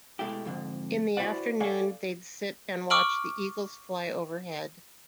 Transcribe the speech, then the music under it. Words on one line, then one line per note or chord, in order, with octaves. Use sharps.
In the afternoon they’d sit and watch the eagles fly overhead.
B2 G#3 A3 E4 G4
F2 G#2 D3
E4 F#4 B4 C5 D5 F#5
A4 C#5 D5 F5 F#5 G#5
C#6 D6 E6 F6 D7 F#7